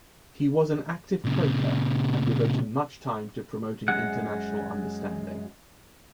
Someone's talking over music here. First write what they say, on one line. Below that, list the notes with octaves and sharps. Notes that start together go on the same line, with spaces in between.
He was an active Quaker and devoted much time to promoting international understanding.
A#2 C#3
F#2 G#3 F#5